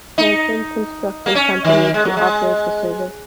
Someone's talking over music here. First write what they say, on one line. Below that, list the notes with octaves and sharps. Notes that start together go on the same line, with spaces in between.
Hanson Construction company to operate the service.
D#4
A#3
C#4
D#3
G#3
F#3
G#3